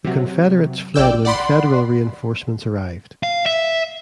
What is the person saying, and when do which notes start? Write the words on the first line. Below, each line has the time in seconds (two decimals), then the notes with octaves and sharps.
The Confederates fled when Federal reinforcements arrived.
0.05 C3 F#3
0.94 A#1 D5 G5 E6
1.25 D5 F#5 B5 C6
3.23 F5
3.46 E5